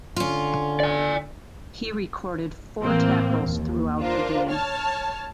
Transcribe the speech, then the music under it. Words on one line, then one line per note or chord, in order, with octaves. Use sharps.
He recorded four tackles throughout the game.
D3 C#4 F4
D5 G#5
A2 E3 A#3 C4
D#2
D4 F4 A#4 C5
C#5 A5 F6